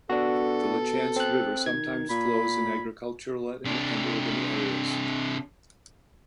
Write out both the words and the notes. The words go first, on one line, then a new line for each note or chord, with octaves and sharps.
The Lachance River sometimes flows in agricultural and urban areas.
B2 D4 F#4 A4
C4 F#6
D#3 G#6
A#2 B5
C3 D4